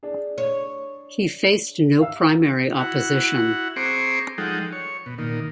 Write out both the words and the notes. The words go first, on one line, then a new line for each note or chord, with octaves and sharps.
He faced no primary opposition.
D4 G#4
C#5
E5 F5 E6
E4 F#4 F#5
C4 G#4 C5 A#5 C#6 D6
F3 G#3 D#4 A4 F#5 G5
C#5
B2
A#2 D#3